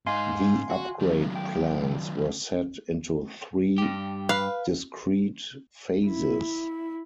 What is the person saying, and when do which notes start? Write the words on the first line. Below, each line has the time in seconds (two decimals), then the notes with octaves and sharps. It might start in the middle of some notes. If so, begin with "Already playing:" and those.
The upgrade plans were set into three discrete phases.
0.07 G#2 D#4 F5 G#5 C6
0.70 F#4
1.00 D#3 F#3
1.36 G5
3.78 G2 G4
4.29 B4 F5
6.06 E4